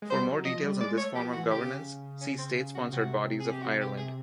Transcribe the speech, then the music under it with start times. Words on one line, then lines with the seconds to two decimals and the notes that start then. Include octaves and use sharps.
For more details on this form of governance, see state-sponsored bodies of Ireland.
0.02 G#3
0.10 G3 C5
0.27 F#3
0.45 F3 D#5
0.63 G3
0.80 G#3 D5
0.98 A3 C#5
1.16 F3 G4
1.33 E3 F#4
1.51 C#3 G4
2.22 C#4
2.39 C4
2.75 F#4
2.92 C3 F#4
3.40 G#4
3.51 G4
3.62 F#4
3.81 G4
3.98 G#4